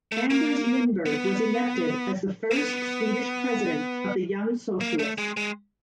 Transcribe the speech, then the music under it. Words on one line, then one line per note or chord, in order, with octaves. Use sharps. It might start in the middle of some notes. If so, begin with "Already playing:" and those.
Anders Lindberg was elected as the first Swedish president of the Young Socialists.
A3
A#3
B3
A#3
B3
A#3
A3
G#3
G#3